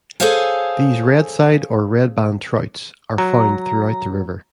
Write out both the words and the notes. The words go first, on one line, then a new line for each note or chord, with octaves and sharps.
These redside or redband trouts are found throughout the river.
G#4 A4 C5 C#5 F5 G#5
F#3 A#5